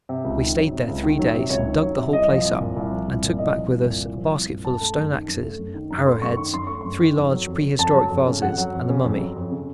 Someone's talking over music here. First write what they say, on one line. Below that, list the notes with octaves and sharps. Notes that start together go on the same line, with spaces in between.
We stayed there three days and dug the whole place up and took back with us a basket full of stone axes, arrow-heads, three large prehistoric vases, and the mummy.
C3
C#2
D#3
F#3
C3
C#2
D#3
F#3
C3
C#2 C#5
D#3
F#3
C3
C2 D#5
F3
C2
A#2
C2
F3
C2
A#2
C2 D#5
F3
C2
A#2
C2
F3
C2
A#2
F#2 A5
A3
F#2
D#3
F#2
A3
F#2
D#3
F#2 A#5
A3 C6
F#2 C#6
D#3 C#6
F#2 C6
A3 C#6
F#2 C6
D#3
F2
F#3
F2
C#3
F2 A5
F#3
F2
C#3
F2 F#5
F#3
F2
C#3
F2
F#3
F2
C#3